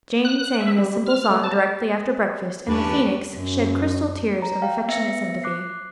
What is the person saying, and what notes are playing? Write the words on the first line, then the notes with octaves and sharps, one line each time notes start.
Jane sang this simple song directly after breakfast, and the Phoenix shed crystal tears of affectionate sympathy.
F#6
E5
G3
F6
A3
A5
E2 G2 C#4 D4 B4
F#2
A#5
F5 G5
B3 E5 A#6 C#7
D6 F#6 C7